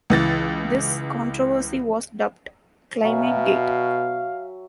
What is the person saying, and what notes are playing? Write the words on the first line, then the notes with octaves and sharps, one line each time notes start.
This controversy was dubbed "Climategate".
C#2 E3 A6
B2 F#3 E5 F5 G#5